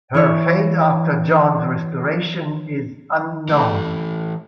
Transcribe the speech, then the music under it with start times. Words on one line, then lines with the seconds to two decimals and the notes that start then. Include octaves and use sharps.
Her fate after John's restoration is unknown.
0.14 E3 E4 C#5
3.49 E3 A3